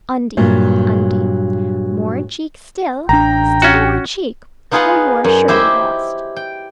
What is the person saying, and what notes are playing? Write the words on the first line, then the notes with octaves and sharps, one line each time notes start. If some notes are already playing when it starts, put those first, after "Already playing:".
Undy, Undy, more cheek still, still more cheek, or you are surely lost.
G2 A#2 F#3
A1 D4 G5 A#5
C#4 F#4
B3 D#4 F4 G#4 B4 F#5
F#2
E4 G4 C5 D#5 E5
G5